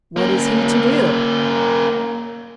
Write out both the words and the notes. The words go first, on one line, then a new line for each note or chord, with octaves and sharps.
What is he to do?
A#3 C#4